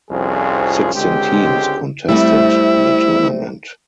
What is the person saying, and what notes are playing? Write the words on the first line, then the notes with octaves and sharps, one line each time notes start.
Sixteen teams contested the tournament.
C2 F2 F3 C#4 G#4
C#2 D3 G#3 C4 G4
G3 A3 C4 E4